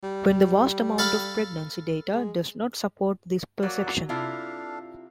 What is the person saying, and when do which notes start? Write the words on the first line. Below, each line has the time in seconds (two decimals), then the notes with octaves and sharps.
When the vast amount of pregnancy data does not support this perception.
0.03 G3
0.98 A4 F5 B5
2.12 G#3
3.63 F#3 A#3 D5 F#5
4.09 C3 D4 E4 F4 A4 F5